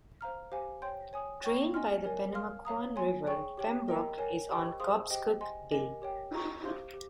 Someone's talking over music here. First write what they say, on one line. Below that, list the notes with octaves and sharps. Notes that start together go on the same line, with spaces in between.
Drained by the Pennamaquan River, Pembroke is on Cobscook Bay.
C5 F5 A#5 F6
G4 C5 F5 G#5
C#5 G5 C6 G6
C#5 G#5 D#6
C#5 G5 C#6
D#5 G#5 C6 F6
A#4 C#5 G#5
F5 C6 F6
C#5 F5 A#5 D#6
C#5 G#5 C6
G#4 C#5 G5 C#6
G4 C#5 G5
A#4 D#5 G5 A#5
A#4 C#5 G#5
G4 C5 D#5 G5 C#6
G#4 C5 F5 C6 D#6
G4 C5 D#5 G5
D#5 G#5 C6
G4 A#4 D#5 G#5
G4 C#5 G5
D#5 A#5 C#6
G4 C5 F5 C6 G6
G4